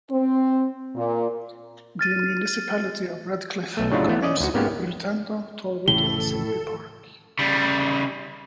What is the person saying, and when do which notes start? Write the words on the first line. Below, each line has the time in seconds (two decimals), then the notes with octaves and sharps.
The municipality of Redcliff governs Rutendo, Torwood and Simbi Park.
0.11 C4
0.96 A#2
1.99 F6 A6 D#7
3.77 B1 A3
3.91 A2 C#3 F#3 D4 D#4 F4
4.08 E3 A3 B3
4.22 C#4 D5 D#5
4.41 D2 F#4
4.54 G#2 A#3 B3 C#4 G4
5.88 F1 A2 C#3 E3 A4 G7
7.39 C#3 G3